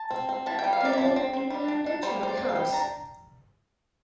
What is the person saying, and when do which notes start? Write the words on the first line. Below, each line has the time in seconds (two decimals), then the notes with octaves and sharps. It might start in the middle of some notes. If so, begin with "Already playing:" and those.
He lived in the London Charterhouse.
Already playing: A5
0.10 C4
0.29 C4
0.46 E3 A5
0.59 G5
0.64 G3
0.73 F5
0.81 E3 D5
0.93 E5
0.98 F3 D5
1.16 C4
1.33 C4
1.50 G3
1.68 D4
1.86 D4
2.03 G3 C5
2.20 C4 C5
2.29 D5
2.38 C4
2.49 F5
2.55 G3 G5
2.72 D4 A#5